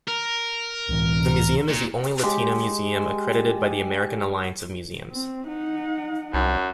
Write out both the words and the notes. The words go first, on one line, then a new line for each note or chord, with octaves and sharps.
The museum is the only Latino museum accredited by the American Alliance of Museums.
A#4
C#2 A2 E3
A#2
G#3 G4
C4
D#4 F#5
C2 F#2